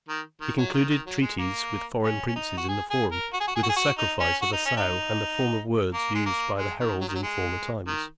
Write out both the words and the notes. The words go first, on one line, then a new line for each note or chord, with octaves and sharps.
He concluded treaties with foreign princes in the forum, with the sacrifice of a sow, and the form of words used by the heralds in former times.
D#3
D#3
F#3
D#3
D#3
F#3
G#3
A#3
C#4
C#4
D#4
F#4
G#4
G#4
A#4
F#4
G#4
F#4
G#4
F#4
G#4
F#4
D#4
C#4
F#4
D#4
C#4
D#4
A#3
G#3
A#3
G#3
D#3
F#3
D#3
F#3
G#3
D#3